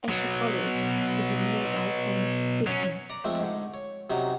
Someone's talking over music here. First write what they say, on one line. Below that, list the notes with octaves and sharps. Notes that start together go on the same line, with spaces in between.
Esher College is in nearby Thames Ditton.
B2 F#3
F#3 C#4
D5 A#5
F3 G#3 A3 C4
G#2 D3
C#5
C3 F#3 C#4 D#4